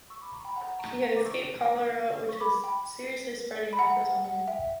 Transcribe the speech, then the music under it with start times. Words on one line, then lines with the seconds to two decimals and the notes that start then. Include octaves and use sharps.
He had escaped cholera which was seriously spreading at the time.
0.10 C#6 E6
0.21 B5 D6
0.33 A#5 C#6
0.45 G5 B5
0.56 F#5 A#5
0.79 A#5 C#6
1.02 A#5 C#6
1.16 D6
1.25 C#6 E6
2.29 C#6
2.40 B5 D6
2.64 G5 B5
3.73 B5
3.79 F#5 A#5
3.90 F#5
4.02 F#5
4.25 F#5
4.48 E5 G5